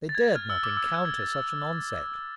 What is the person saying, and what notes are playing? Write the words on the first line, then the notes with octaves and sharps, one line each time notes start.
They dared not encounter such an onset.
A6
G#6
F6
E6
D6
E6
E6
G#6
A6